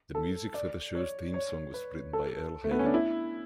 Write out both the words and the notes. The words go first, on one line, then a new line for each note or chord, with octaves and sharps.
The music for the show's theme song was written by Earle Hagen.
A4
D5
C#5
C#5
B4
A4
A3
B3
C#4
D4
E4